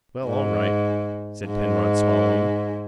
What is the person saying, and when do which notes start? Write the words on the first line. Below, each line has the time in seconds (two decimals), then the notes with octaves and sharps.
"Well, all right," said Penrod, swallowing.
0.25 G#2
1.46 G#2